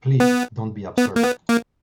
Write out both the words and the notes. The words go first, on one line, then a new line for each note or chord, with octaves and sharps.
Please, don’t be absurd.
B3
B3
A#3
B3
A#3